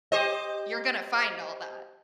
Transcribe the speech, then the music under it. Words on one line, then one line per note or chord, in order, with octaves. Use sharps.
you're gonna find all that.
G4 C5 D#5